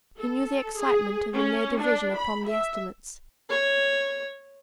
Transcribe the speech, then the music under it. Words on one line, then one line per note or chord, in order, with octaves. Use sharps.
He knew the excitement of a near division upon the estimates.
A4
G#4
C#4
D4
B5
E5
C#5